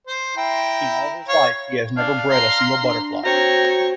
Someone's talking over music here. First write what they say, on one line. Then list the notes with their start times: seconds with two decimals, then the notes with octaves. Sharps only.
In all his life he has never bred a single butterfly.
0.07 C5
0.37 E4 G5 A#5
1.28 C#5 F5
1.97 D4 F5
2.31 A#5 C6
2.82 D4
3.24 C4 F#4 C#5 A#5